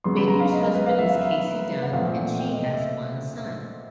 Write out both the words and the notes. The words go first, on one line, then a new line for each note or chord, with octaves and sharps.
Baker's husband is Casey Dunn and she has one son.
C#3 F#3 B3 C6
B5
A#5
F5
D#5
A#4
B4
F5
E5
F5
E5
F#5
A#2 F3 A3 C4 F5
F#5
G5
D#5
D#5
E5
E5